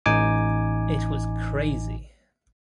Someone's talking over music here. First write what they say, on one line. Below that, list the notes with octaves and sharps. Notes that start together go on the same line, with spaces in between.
It was crazy!
A1 D#4 G#5 D6